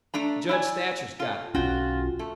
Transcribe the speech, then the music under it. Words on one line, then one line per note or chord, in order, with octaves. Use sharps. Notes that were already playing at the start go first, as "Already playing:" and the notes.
Judge Thatcher's got it.
A3 D4 A#5
E4 D5 G#5
F4 A4
B1 C#4 F4 F#4 G5
A3